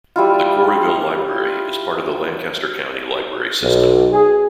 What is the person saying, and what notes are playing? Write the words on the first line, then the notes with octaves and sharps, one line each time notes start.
The Quarryville Library is part of the Lancaster County Library System.
G3 E4 F4
B1
G#4